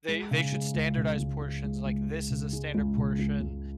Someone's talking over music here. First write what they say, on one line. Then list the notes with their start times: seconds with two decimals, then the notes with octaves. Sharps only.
they they should standardize portions, like, "This is a standard portion."
0.08 G#3
0.31 C#3
0.52 G#3
0.74 C#2
0.97 C#3
1.19 C#2
1.42 G#3
1.64 G#3
1.86 C#2
2.09 G#3
2.30 C#3
2.53 G#3
2.75 C#2
2.97 C#3
3.19 C#2
3.41 C#2